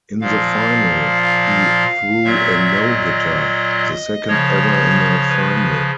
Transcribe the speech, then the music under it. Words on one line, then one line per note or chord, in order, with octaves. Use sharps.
In the final, he threw a no-hitter, the second ever in a final.
A#2 F3 F5
F5
A#2 F#3 E5
D#5
D#5
C#3 F3 C#5
B4